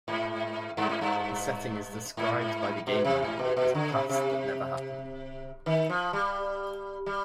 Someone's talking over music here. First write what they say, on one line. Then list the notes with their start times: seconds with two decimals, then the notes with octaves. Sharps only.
The setting is described by the game manual as a "past that never happened".
0.08 G#2
0.77 G2
0.89 G#2
1.01 G2
2.17 G#2
2.87 B2
3.05 C3
3.22 G#2
3.39 B2
3.56 B2
3.75 D3
3.92 C3
4.09 C3
5.66 D#3
5.90 F3
6.13 G3
7.06 G3